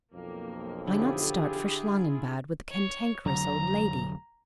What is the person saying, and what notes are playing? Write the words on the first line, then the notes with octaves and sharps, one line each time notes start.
Why not start for Schlangenbad with the Cantankerous Old Lady?
B1 F2 A#3
D3 E4 F4 G4 G#4
C#5
F1 D3 F#3 A#5